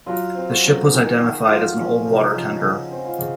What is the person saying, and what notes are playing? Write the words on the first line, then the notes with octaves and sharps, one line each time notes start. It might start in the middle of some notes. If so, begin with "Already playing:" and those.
The ship was identified as an old water tender.
F#3 F4
C4
F#4
F#3
D#3 G#4
D#3 F#4
F#3 F4
F3 C#4
C3
D#4
C#4
F3
C#3 F#4
C4
F4
C#3